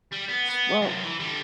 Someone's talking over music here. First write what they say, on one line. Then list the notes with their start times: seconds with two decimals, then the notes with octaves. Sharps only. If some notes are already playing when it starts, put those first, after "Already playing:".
S well
0.12 G3
0.28 B3
0.49 B3
0.81 F#2 C3
1.04 E3
1.19 D3 G3